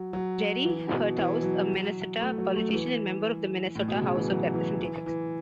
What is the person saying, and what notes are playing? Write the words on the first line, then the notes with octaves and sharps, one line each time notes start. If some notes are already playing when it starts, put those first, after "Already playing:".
Jerry Hertaus - A Minnesota politician and member of the Minnesota House of Representatives.
Already playing: F#3
F#3
E3
B2
E3
F#3
A3
F#3
A3
E3
A2
B2
C#3
E3
F#3
E3
E3
E3